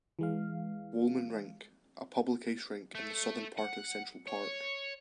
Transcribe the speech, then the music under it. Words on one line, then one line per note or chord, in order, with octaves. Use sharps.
Wollman Rink: A public ice rink in the southern part of Central Park.
E3 G#3 F5
A3
F#5
C#5